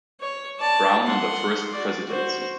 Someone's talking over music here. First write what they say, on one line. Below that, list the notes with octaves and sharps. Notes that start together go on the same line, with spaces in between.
Brown in the First Presidency.
C#5
D5 A5
F#5 C6
F#4 D5
F#4 C5